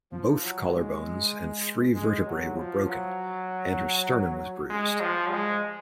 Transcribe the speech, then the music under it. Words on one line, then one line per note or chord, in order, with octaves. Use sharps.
Both collarbones and three vertebrae were broken, and her sternum was bruised.
F3
F#3
G#3
G#3
F#3
F3
F#3
G#3
F3
G#3